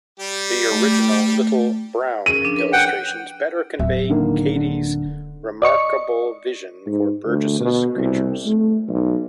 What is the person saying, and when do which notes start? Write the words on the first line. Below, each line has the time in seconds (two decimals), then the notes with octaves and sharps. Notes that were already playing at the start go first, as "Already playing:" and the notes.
The original Little, Brown illustrations better convey Cady's remarkable vision for Burgess' creatures.
0.20 G3 G4
0.72 A3
2.26 C#4 G#4 A#4 D#7
2.42 F3 D4
2.56 A#4 B4 C#5
2.73 F#5 G5
3.79 D1 E5
4.09 D3 D#3 A#3
4.56 D3
5.62 D5 D#5 C#6 C#7
6.86 G#2
7.26 D2
7.60 B2
7.97 C2
8.46 A3
8.88 B1